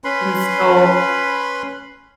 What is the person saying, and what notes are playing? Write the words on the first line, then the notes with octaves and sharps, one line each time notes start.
and so
C#4 B4 B5 C6